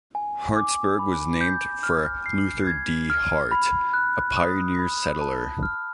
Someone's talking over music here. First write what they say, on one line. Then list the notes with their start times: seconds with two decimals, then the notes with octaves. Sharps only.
Hartsburg was named for Luther D. Hart, a pioneer settler.
0.15 G#5
0.56 D6
0.99 B5
1.41 G6
1.83 F6
2.26 C7
2.67 G#6
3.10 F6
3.51 B5
3.94 F#6
4.37 D#6
4.79 B5
5.21 A5
5.63 F6